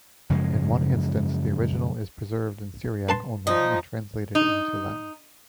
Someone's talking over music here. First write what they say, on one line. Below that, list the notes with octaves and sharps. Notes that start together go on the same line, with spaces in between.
In one instance, the original is preserved in Syriac only and translated into Latin.
F#2 C#3 F3 G#3
B4 A5 C6
F3 D#4
D#4